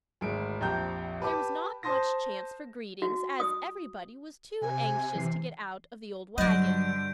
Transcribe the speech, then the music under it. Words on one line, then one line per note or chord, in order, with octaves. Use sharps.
There was not much chance for greetings as everybody was too anxious to get out of the old wagon.
G#1 D2 G#3 D7
A#1 F2 G4 G5 A#5 G6
G4 B4 A5 D6
C5 A5 C6 D#6 A#6
F#4
D#6
C3 G#5
E3 C7
G2 D3 F#3 F#4 D#5 G6 D7